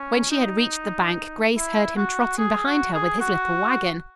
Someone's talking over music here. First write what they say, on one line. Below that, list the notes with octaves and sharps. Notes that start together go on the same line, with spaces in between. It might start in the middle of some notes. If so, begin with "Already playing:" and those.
When she had reached the bank, Grace heard him trotting behind her with his little wagon.
Already playing: C#4
D#4
E4
F#4
G#4
F#4
G#4
F#4